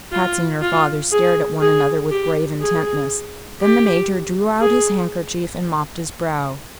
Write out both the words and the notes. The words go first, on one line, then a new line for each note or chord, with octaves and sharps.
Patsy and her father stared at one another with grave intentness. Then the Major drew out his handkerchief and mopped his brow.
F4
F4
G#4
G#4
G4
G#4
G4
G#4